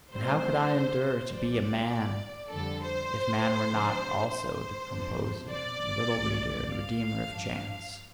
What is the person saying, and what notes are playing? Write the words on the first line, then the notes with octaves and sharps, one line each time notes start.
And how could I endure to be a man, if man were not also the composer, and riddle-reader, and redeemer of chance!
A2 G3 C4 C5
C2 C3 F3 D5
F2 D3 G3 A4
C5
C3 F3 D4
C5
F2 C3 F3 D4
D5
C2 C3 A3
F5
G2 F3 D4